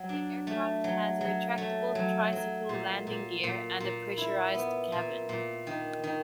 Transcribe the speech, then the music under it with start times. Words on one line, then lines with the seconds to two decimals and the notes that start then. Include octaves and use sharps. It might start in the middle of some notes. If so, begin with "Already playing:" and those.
The aircraft has retractable tricycle landing gear and a pressurized cabin.
Already playing: F#3
0.09 D4
0.47 A3
0.84 F#3
1.21 F#3
1.58 A3
1.95 F#3
2.33 F#3
2.69 A#2
3.07 A#2
3.43 A#2
3.80 A#2
4.18 E4
4.55 B3
4.92 A#2
5.29 A#2
5.67 D#3
6.04 D#3